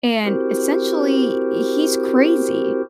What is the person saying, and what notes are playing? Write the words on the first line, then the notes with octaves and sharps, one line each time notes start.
and essentially, he's crazy,
C4 E4 F#4 G4 A#4 C5